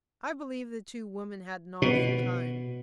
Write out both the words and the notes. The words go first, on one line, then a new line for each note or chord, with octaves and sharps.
I believe the two women had an awful time.
B2